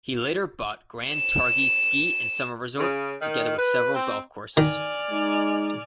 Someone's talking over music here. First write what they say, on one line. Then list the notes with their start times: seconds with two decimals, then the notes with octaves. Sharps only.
He later bought Grand Targhee Ski and Summer Resort, together with several golf courses.
1.09 E7
2.78 C#3
3.22 D#3
3.58 B4
3.94 C4
4.57 D#3 D5 G#5 F6
5.11 G#3 D#4